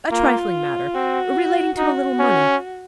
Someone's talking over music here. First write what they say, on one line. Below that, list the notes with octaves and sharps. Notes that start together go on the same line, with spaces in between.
A trifling matter, relating to a little money.
A#3 F4
C4 F#4
D#4 F#4
C#4